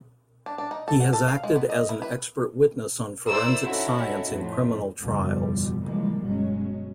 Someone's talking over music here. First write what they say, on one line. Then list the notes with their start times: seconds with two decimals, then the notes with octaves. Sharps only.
He has acted as an expert witness on forensic science in criminal trials.
0.46 D4
0.58 D4
0.71 D#4
0.88 A4
1.00 F#5
1.13 A4
1.28 F5
1.43 G#3
1.56 B3
1.70 D#5
1.89 E4
2.02 B4
3.29 E4 A#4 C5 D5 E6
3.64 C#4 D#4 E4 F#4 A4
4.32 F2 A2
4.99 F#1 E2 B2 F3 G3
5.81 C#3 E3 F3 G3 G#3 A#3
6.23 G1 B2 F#3 G#3 C#4